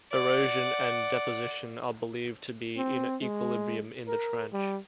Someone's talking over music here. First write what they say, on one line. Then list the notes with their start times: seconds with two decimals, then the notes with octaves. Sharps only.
Erosion and deposition are believed to be in equilibrium in the trench.
0.13 D5 F#5
2.77 C4
3.22 G#3
4.07 A#4
4.53 G3